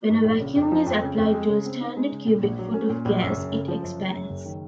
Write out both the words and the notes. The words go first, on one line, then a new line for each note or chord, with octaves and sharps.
When a vacuum is applied to a standard cubic foot of gas, it expands.
G#2
A#1
C#3
F2
F3
F2
C#3
F2
G#3
C#3
C4
D#4
G#3
C#3
A#2
A#1
F#3
C#4
A#2
A#1
F#2
F#1
C#3
F3
F#2
F#1
F#2
F#1
D#3